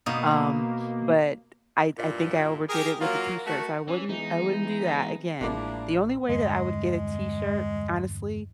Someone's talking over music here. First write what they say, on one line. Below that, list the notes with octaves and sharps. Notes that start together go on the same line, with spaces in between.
Um, but I I think I overdid it with the t-shirt, so I wouldn't I wouldn't do that again. The only way that I would get a t-shirt, honestly,
B2 A#3 D#4
G2 A#2 E4
G4 G#4 A#4
F#3 A#3 F4 A#4
A3 F#4
E3 C#4
E3 G#3 B3 D#4
A1 F3 G#3 A#3 D4 E4 A#4 D6
E2 G2 D3 G#3